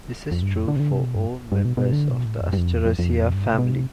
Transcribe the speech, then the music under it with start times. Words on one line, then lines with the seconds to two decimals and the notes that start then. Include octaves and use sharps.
This is true for all members of the Asteraceae family.
0.31 F2
0.42 G2
0.55 F2
0.68 D3
0.76 C3
0.80 D3
0.92 C3
1.04 B2
1.15 G2
1.52 G2
1.65 B2
1.77 B2
1.92 D3
2.10 B2
2.25 A2
2.41 F2
2.53 G2
2.57 F2
2.73 E2
2.85 F2
2.99 F2
3.10 E2
3.22 F2
3.34 G2
3.46 A2
3.53 C3
3.58 B2
3.71 C3